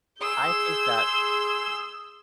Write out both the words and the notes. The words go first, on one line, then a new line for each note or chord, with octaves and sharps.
I think that
G#4 C6 E6 G6